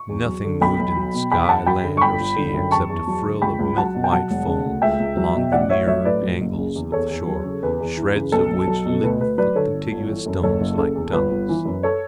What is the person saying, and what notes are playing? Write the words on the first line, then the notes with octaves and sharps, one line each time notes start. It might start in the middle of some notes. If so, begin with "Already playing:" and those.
Nothing moved in sky, land, or sea, except a frill of milkwhite foam along the nearer angles of the shore, shreds of which licked the contiguous stones like tongues.
Already playing: C#6
E2
F#3
D3
B1 G5 B5
B1
F#3
B2
E2 G5 B5
E2 F#5 A5
F#3 G5 B5
D3
C#6
G1 G5 B5
G1
D3
F#2
E2 A5 C#6
E2
F#3
D3
C#2 G5 B5
C#2
F#3 F#5 A5
B2
G5
F#3 F#5 A5
E1
C#3
D2
C#2 E5 G5
C#2
F#3
B2
A1 D5 F#5
A1 C#5 E5
F#3 C#5 E5
A2 B4 D5
F#3
F#1
C#3
E2
E2 A4 C#5
E2
F#3
C#3
E2 B4
E2
E3
C#3
B1 A4
B1
F#3
B2
D2 B4
D2 B4
F#3 B4 D5
D3 A4 C#5
G1
G1
E3
F#2
F#1 A4 C#5
F#1
C#3 A4
E2
G1 B4
G1
E3
F#2
A4 C#5